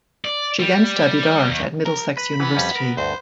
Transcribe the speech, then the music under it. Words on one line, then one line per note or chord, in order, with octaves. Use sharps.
She then studied art at Middlesex University.
D5
G3
D#2
A#4
B4 B5
E3 B3
F2 G3 C#4
A#4
D2 G2 C5